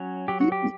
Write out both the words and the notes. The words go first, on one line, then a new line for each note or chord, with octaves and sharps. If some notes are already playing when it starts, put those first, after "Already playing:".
Y y
Already playing: F#3 C#4
F#3 G4
F#4
G4